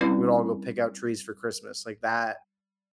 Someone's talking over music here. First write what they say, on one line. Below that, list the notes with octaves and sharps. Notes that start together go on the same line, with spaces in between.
we would all go pick out trees for Christmas, like, that
G3 C4 C#4 E4 B4 D5